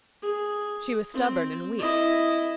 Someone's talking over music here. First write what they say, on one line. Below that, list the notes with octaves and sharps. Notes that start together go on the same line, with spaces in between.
She was stubborn and weak.
G#4
C4
E4 D#5